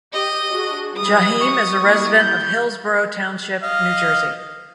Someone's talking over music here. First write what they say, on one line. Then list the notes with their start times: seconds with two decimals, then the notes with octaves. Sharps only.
Jaheim is a resident of Hillsborough Township, New Jersey.
0.13 G4 D#5 D#7
0.50 D4 F#4 G#4
0.97 E3 G3 D#6
1.41 F#4 C#6
1.83 G3 A#3 E4
2.20 G6
3.62 D#5 F5